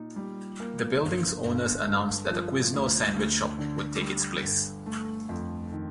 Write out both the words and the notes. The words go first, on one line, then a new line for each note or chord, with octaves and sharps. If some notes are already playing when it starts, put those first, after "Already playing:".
The building's owners announced that a Quiznos sandwich shop would take its place.
Already playing: A#2 D#4
G3
A#3
G1
G1
G2
F3
D2
D2
D3
G3
G1
A3
F2
D#3